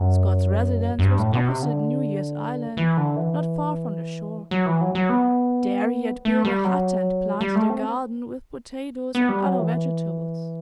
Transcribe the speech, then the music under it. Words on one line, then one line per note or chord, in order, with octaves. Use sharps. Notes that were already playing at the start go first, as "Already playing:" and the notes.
Scott's residence was opposite New Year's Island not far from the shore; there he had built a hut and planted a garden with potatoes and other vegetables.
Already playing: F#2
F#2
G2
A2
B2
C3
D3
E3
D3
E3
F#3
E3
F#3
F#3
B3
A3
G3
F#3
G3
A3
C4
B3
G3
F#3
E3